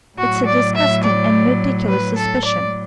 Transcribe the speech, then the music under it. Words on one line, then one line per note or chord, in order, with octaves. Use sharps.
It's a disgusting and ridiculous suspicion.
A2 F#3 F#4
D5
E5
D5
B4
A4
A2 F#3 D5